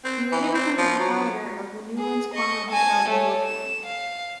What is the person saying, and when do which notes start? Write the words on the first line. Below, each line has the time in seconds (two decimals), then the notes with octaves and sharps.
He later became the proprietor of the Newlands Corner Hotel in Guildford.
0.05 C4
0.32 E3
0.54 C4
0.78 F3
0.99 F#3
1.99 G#4
2.35 D#5 C#6
2.71 G#5 A5
3.09 A3 C#5
3.46 E7
3.86 F5